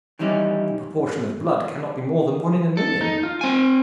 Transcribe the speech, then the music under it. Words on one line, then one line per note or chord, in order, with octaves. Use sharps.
The proportion of blood cannot be more than one in a million.
D#3 E3 G3 C#4 D#4
A4
D#4
F4
C4 G#5